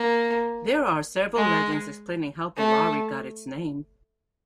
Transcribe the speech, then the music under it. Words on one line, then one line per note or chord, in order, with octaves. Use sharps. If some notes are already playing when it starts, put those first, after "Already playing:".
There are several legends explaining how Ballari got its name.
Already playing: A#3
G#3
A3